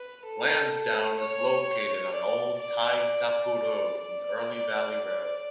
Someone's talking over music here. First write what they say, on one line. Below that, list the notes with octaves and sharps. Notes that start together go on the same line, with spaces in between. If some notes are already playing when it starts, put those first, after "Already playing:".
Lansdowne is located on Old Tai Tapu Road and Early Valley Road.
Already playing: B4
A4
C#5
D5
D5
D5